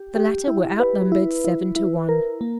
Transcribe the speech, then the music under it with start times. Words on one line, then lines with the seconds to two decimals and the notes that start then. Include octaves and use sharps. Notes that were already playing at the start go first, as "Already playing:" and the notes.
The latter were outnumbered seven to one.
Already playing: G4
0.15 G4
0.47 E4
0.80 B4
1.12 E4
1.45 E4
1.76 E4
2.09 A#4
2.41 A#3